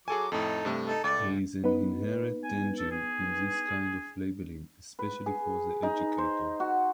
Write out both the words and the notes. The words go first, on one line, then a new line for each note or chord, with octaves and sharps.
There is an inherent danger in this kind of labeling especially for the educator.
F#3 G#4 A4 G#5 D6
F2 A2 D#4 A4
G2 C3 A3
D#4 A4
C#2 A3 D5
B3 D#4 B4
G#5
A4
G#4
B4
G#4
D#4
C5
F#4